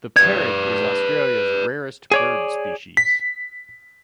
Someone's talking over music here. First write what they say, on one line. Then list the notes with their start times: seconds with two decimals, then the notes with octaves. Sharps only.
The parrot is Australia's rarest bird species.
0.16 B4 D5 G#6
2.11 G#4 C#5 D5
2.97 B6